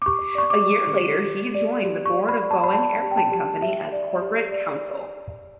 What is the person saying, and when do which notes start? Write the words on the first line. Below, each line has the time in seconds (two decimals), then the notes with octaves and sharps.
A year later he joined the Board of Boeing Airplane Company as corporate counsel.
0.02 D6
0.06 G4 C#6
0.35 D5 C#6
0.50 D6
0.65 G4
0.95 G4
1.24 G4
1.55 D5
1.84 G4
2.06 C#6
2.14 D5
2.29 B5
2.43 D5
2.51 A5
2.64 B5
2.73 D5 A5
3.02 G4
3.11 G5
3.17 A5
3.32 G4
3.62 G4 E5
3.92 D5
4.21 G4
4.52 D5